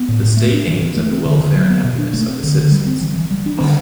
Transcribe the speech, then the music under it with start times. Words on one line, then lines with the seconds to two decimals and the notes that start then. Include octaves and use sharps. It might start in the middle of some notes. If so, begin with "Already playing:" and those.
The state aims at the welfare and happiness of the citizens.
Already playing: B3
0.09 A2
0.23 A2
0.37 A3
0.53 D4
0.67 E3
0.82 E3
0.97 A3
1.11 C4
1.26 D3
1.41 D3
1.56 F#3
1.70 B3
1.84 B2
1.98 D4
2.13 A3
2.29 C4
2.43 D3
2.58 D3
2.72 G3
2.87 C4
3.01 E3
3.16 E3
3.31 G3
3.46 D4
3.60 D3